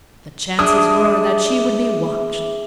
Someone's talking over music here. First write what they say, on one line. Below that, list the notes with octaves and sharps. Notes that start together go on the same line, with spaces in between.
The chances were that she would be watched.
D4 G#4 E5 D6 D#6